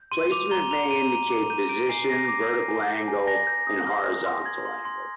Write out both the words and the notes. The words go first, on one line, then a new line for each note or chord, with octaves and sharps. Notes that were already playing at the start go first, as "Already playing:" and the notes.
Placement may indicate position, vertical angle, and horizontal angle.
Already playing: G6
C6 D#7
D6 F7
A#5 G7
A#5 F7
A#5 D#7
A#5
D6
G6 D#7
G6 D7
G#5 C7
G#5 A#6
D6
G6
G#5
G6
G#5
G#5 A#6
G6
D#6
F6
F6
C6
C6 G#6
C6
C6